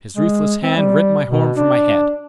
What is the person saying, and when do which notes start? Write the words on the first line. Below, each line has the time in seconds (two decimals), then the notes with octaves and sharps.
His ruthless hand rent my horn from my head.
0.17 G#3
0.62 C4
0.77 G3
1.26 B2
1.57 D4